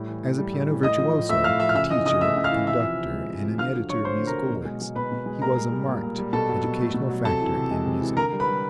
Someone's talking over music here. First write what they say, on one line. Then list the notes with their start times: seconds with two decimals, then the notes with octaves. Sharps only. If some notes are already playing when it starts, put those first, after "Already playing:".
As a piano virtuoso, a teacher, a conductor and an editor of musical works, he was a marked educational factor in music.
Already playing: A2 G3
0.08 E3
0.23 A2
0.38 G3
0.53 A2
0.69 E3
0.83 A2 D#5 D#6
0.98 F3
1.14 A2
1.29 A3 E5 E6
1.44 A2 F5 F6
1.60 F3 E5 E6
1.69 F6
1.75 C#3 E5 E6
1.90 E3 D#5 D#6
2.05 C#3 D#5 D#6
2.21 A3 E5 E6
2.37 C#3
2.44 F5 F6
2.51 E3
2.67 C3 E5 E6
2.82 F3
2.98 C3
3.13 G#3
3.28 C3
3.43 F3
3.58 D3 F5 F6
3.74 F#3
3.89 D3 C#5 C#6
4.04 A3 C5 C6
4.20 D3
4.27 A#4 A#5
4.36 F#3
4.50 B2
4.65 G#3
4.81 G#3
4.95 B2 B4 B5
5.12 B2
5.26 G#3
5.42 A#2 A#4 A#5
5.57 G3
5.72 G3
5.88 A#2
6.03 A#2
6.18 G3
6.33 B2 A4 A5
6.49 F#3
6.64 B2
6.80 A3
6.94 B2
7.09 F#3
7.25 C3 A4 A5
7.41 E3
7.56 C3
7.71 G#3
7.86 C3
8.01 E3
8.17 D3 A#4 A#5
8.33 G3
8.40 B4 B5
8.47 G3